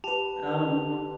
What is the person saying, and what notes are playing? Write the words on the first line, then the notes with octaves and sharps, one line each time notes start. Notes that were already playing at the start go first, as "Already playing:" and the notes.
Oh, no.
G4 B4 A5 F7